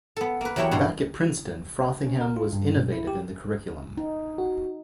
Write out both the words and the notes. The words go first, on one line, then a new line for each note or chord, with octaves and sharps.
Back at Princeton, Frothingham was innovative in the curriculum.
B3 A4
A#3 B4
E2 F#3 E4 G4 C#5 F#5
G2 B2 G#4 C6
C#4
A#4
F4
G2
B2
E4
G4
D#4
F#4